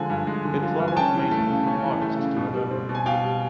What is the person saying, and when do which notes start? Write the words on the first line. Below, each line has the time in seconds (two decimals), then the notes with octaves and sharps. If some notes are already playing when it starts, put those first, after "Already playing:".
It flowers mainly from August to November.
Already playing: D3 F3 G#3 G#5
0.10 G2
0.27 G#3
0.45 D3
0.62 F3
0.79 G2
0.88 G#5
0.97 C#4 G5 A5
1.15 E3
1.31 A3
1.50 C#3
1.67 C#4
1.84 E3
2.01 A3
2.19 C#3
2.36 B2
2.53 G3
2.71 C4
2.89 B2
2.95 G#5
3.06 B2 F5 G5
3.24 G3